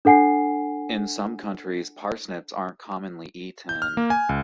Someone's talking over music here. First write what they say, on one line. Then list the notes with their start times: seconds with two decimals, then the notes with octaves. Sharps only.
In some countries, parsnips aren't commonly eaten.
0.05 D4 A4 F#5 G#5 C7
3.69 G6
3.82 F6
3.97 A#3
4.10 G#5
4.29 C#2